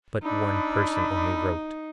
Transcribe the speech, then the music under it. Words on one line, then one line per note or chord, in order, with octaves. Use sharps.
"But one person only wrote!"
D4 D#4 B5 E6